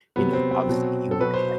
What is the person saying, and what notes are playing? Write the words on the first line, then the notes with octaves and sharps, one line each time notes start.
you know, obviously you would be, like,
C3 F#3 B3
C4
C4
B2 F#3
A4
B2 F#3 B4
C5